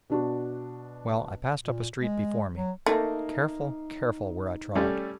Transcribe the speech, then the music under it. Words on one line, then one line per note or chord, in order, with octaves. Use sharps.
Well, I passed up a street before me, careful, careful where I trod.
B2 D4 F#4
A#2
G#3
F#3
A3 A#3 D#4
G3 A3 C#4